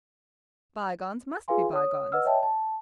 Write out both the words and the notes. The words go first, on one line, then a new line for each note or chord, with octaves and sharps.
Bygones must be bygones.
F4 G#4 B4 F5 G#5 C6
C#5 D#6
B4 D#5 F#5 E6 F6
C#5 D#5 E5 G5 A5
A5